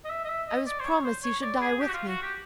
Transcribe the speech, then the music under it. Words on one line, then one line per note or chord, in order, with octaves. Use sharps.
I was promised he should die with me.
D#5
E5
D#5
E5
D#5
D5
C5
C#5
C5
C#5
D5
G#4
G4
F#4
F4
F#4
G4